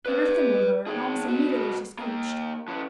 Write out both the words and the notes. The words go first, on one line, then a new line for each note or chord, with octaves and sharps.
Peter thimbled her, and almost immediately she screeched.
B4 D5
D#3 G#4
C3 F#4
D#3 A#3
E3 C#4